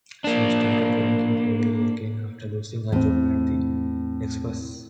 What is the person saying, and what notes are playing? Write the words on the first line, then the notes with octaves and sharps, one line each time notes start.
She started drinking heavily again after losing her job at the "Express".
A#3 D4
E2 A2 C4